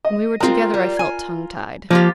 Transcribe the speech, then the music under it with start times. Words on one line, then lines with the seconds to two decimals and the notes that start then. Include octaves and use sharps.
When we were together I felt tongue-tied.
0.05 D#5
0.40 G#3 C4 F4 A#4
0.74 G3
0.99 G#5
1.91 F3 A#3 F4 G4